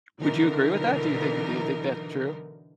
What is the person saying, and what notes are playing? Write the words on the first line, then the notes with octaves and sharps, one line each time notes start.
Would you agree with that? Do you think do you think that's true?
B2 D3 E3 F#3 D#4 A#4